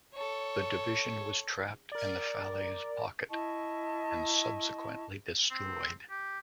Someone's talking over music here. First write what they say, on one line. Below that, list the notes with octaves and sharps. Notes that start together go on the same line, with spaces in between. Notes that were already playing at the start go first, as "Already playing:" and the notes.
The division was trapped in the Falaise Pocket and subsequently destroyed.
A4 C#5
A#4 D5
E4 D#5 A5 C#6
C4
G4